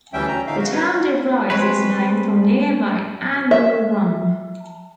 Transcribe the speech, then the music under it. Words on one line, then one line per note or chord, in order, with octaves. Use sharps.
The town derives its name from nearby Ann Moore Run.
D2 E3 G3 C#4 E5 G5
C#4 A#5
A#2 D3 D#4 E5 F5
F#4
D#3 B4 C#5
G#3 C4 B4 C#5
E5